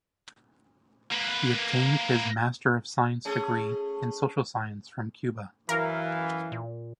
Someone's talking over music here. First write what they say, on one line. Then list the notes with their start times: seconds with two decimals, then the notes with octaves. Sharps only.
He obtained his Master of Science degree in Social Science from Cuba.
1.11 A#3 B4
3.25 A3 C#4 G#4
5.69 F#2 E3 A#4 F5
6.52 A#2